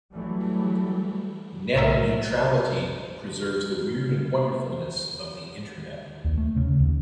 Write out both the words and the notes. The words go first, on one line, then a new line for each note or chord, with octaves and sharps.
Net Neutrality preserves the weird and wonderfulness of the Internet.
E3 F#3 G3 A3
B1 A2 A#4 E5
D#2
A3
C#3
D#2